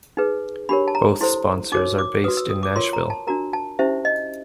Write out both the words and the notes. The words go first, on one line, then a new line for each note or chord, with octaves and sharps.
Both sponsors are based in Nashville.
D#4 G#4 B4
D4 G4 A#4 C#5 B5
A5
A#5
E4 A4 C5 C6
D#4 F#4 A#4 C#5 D6
D6
F#4 B4 D#6
E6
D#6
D6
F4 A#4 C#5 C6
A#5
A5
D4 F#4 A#4 A#5
A5
C#4 E4 G4 C5 E5
D#5